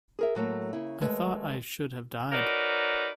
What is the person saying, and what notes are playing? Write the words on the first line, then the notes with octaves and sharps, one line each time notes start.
I thought I should have died.
G#4 A#4 E5
A2 F#3 A3 A#3
C#3 A#3 E4
D#2 G#3 A3 B4
D#4 F#4 A#4 B4 C#5 D5